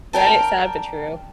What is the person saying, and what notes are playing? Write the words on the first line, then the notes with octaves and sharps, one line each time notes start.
Right, sad but true.
D4 A#4 G5 A5